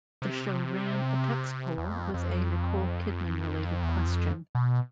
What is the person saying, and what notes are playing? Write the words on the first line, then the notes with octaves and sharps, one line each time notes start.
The show ran a text poll with a Nicole Kidman related question.
C3
E2
F2
F2
E2
F2
B2